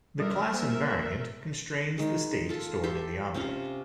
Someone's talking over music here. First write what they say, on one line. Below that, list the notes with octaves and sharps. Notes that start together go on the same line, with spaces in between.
The class invariant constrains the state stored in the object.
G3 A#4 E5
A#3 C5 G#5
D#3 G#3
F4 A4
G4 A4 E5 C6
C3 C#4 F4 F5